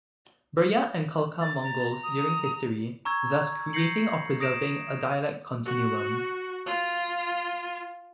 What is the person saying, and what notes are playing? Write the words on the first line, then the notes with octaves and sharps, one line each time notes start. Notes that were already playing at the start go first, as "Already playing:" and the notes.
Buryat and Khalkha Mongols during history thus creating or preserving a dialect continuum.
A6
A#5
D#6
A#5 C#6 E6 G#6
G6 A#6 C7 C#7 F#7
D#6 A#6 D7 E7
F#4
F4